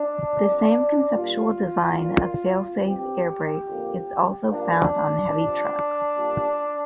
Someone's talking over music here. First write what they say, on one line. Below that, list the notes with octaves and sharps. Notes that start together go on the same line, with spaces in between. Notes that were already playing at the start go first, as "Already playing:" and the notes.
The same conceptual design of fail-safe air brake is also found on heavy trucks.
Already playing: D4
F2 F3 C4
A#2 G3 A#3 F4
A#2 A#3
G2 F3 C4 G4
F2 D3 A#3
G2 F3 A#3 D4
G2 F3 C4
A#2 G3 A#3